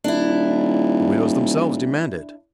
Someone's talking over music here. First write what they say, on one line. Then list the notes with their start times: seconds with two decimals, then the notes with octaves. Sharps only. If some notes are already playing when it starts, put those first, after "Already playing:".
The widows themselves demand it!
0.04 D#1 D4 E4